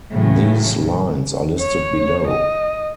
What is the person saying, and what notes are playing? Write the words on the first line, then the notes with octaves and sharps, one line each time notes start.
These lines are listed below.
A2 C#3 E3 F#3
C#5
D#5